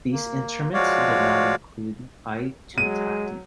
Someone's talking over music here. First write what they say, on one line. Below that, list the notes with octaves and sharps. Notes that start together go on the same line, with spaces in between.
These instruments did not include Aitutaki.
A#3
F3 G#3 F#4 C#5 D5 F5
F#3 G#3 D#7